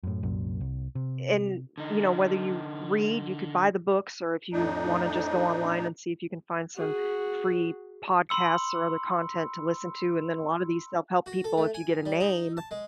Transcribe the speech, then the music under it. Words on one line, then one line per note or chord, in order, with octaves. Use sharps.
and, you know, whether you read, you could buy the books, or if you wanna just go online and see if you can find some free podcasts or other content to listen to, and then a lotta these self-help people if you get a name,
F#2 A2
C2 F#2 A#2
C2
C3
D3 D#4
F2 A2 D4 D#4
F#4 G#4
B5 C6 E6 C#7
F#4
A4
A3
G#5
G3
D#4
A5
G#3